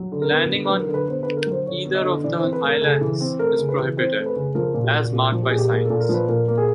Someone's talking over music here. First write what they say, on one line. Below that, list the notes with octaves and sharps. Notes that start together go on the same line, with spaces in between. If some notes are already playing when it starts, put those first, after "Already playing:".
Landing on either of the islands is prohibited, as marked by signs.
Already playing: F#3
D3
A#4
B3
D3
F#3 B4
A#4
D3
B4
B3 C5
D3 B4
A#4
F#3 C5
D3 C#5
B3
D#5
D3
E3 D5
C5
C4
B4
A3
A#4
C#3 A4
E3
C4
A3 A#4
C#3
B4
E3
C4 C5
A3
B4
C#3
F3 A#4
A#2
F#4
A#3
A#2 F#4
F3
G4
A#2 G#4
G4
A#3 G#4
A#2 A4
A#4
F3
B4
A#2 A#4
A#3
G#4